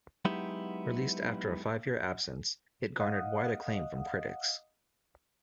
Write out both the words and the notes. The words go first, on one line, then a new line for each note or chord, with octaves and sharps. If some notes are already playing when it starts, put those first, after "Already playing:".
Released after a five-year absence, it garnered wide acclaim from critics.
F#3 G#3 B3 D#4 E4 G4
D#5 F5 F#5 D#6